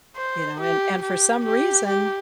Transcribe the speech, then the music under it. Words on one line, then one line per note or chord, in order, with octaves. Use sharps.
you know. And and for some reason,
C5
G4
G4
G4
G4